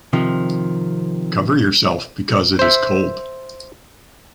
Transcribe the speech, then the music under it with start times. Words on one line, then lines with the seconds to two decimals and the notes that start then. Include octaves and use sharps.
Cover yourself because it is cold.
0.13 C3 D#3 F3
2.59 C5 E5